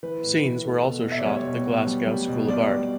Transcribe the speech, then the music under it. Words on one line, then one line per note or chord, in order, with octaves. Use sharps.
Scenes were also shot at the Glasgow School of Art.
E3 B4
A2
E3
A3
B2
B2
E5
D5
G3 C#5
B2
B2
G3
G3
B2
G3 D5
G3